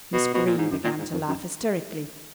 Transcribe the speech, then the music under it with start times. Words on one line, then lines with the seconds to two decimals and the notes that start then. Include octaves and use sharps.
Miss Greene began to laugh hysterically.
0.13 B2
0.34 B2
0.46 A#2
0.58 G#2
0.71 F#2
0.84 A#2
0.98 G#2
1.12 F2
1.28 F#2